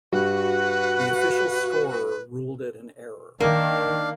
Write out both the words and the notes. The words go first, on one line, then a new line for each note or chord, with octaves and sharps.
The official scorer ruled it an error.
G2 G3 F#4 B4 F#5
D#3 A#3 D4 F5